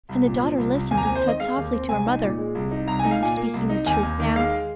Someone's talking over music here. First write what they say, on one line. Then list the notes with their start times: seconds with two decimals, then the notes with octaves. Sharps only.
And the daughter listened, and said softly to her mother: 'Are you speaking the truth now?'
0.09 C2
0.25 A#2
0.41 F3
0.58 C2
0.74 C2
0.91 D#2 G#5
0.97 A#5
1.03 G#5
1.06 C4
1.15 C5
1.23 D#3 D#5
1.40 G#3 F5
1.57 D#2
1.73 C4
1.89 C2 G#5
2.06 D#4
2.22 A#2
2.38 G#3
2.55 C2
2.71 D#4
2.87 C2 A#5
2.99 D#4 G#5
3.11 F5
3.21 A#2 G#5
3.37 A#3
3.54 C2
3.69 D#4
3.86 D#2 G#5
4.03 D#2
4.20 D#3
4.36 G#3 F5